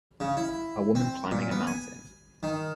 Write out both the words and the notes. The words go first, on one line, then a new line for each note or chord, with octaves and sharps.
A woman climbing a mountain.
C#3
E4
C4
A#2
B3
G#5
D#3